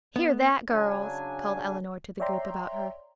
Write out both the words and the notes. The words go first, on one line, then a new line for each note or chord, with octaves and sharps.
"Hear that, girls!" called Elinor to the group about her.
B3
C#3 F#3 D4 G#5
C#5 D5 E5 G5 A#5 C6